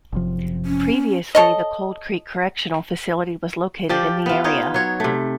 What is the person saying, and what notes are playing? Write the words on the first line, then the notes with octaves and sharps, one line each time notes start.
Previously the Cold Creek Correctional Facility was located in the area.
F#1 C3 F3
C#4
A4 C#5 D#5
F3 G4 D5
B3 F4
D#4 F4 C#5
F#3 C#5
C3 A3